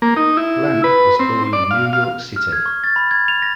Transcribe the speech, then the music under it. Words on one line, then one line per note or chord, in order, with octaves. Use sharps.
Blank was born in New York City.
A#3
D#4
E4
B4
C4
D5
F5
F5
F6
G#6
C#6
A6
B5
G#6
F7
A#6